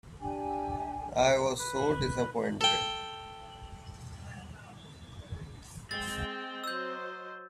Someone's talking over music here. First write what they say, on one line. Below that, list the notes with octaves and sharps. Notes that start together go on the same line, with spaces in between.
I was so dissapointed.
D4 G4 G5 G#5
B4
A4 G5
G#3 C4 G5 A6
F#3 C5 D#5 E6 G6